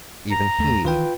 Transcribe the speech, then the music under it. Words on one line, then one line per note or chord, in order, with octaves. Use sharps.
"Even he!"
A#5
D#2 A3
D#3 E3 F4 B4 G5